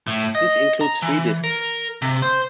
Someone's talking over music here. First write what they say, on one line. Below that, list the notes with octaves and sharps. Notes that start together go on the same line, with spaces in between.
This includes three discs.
A2
D#5
A#5
E3
A#4
C3
C5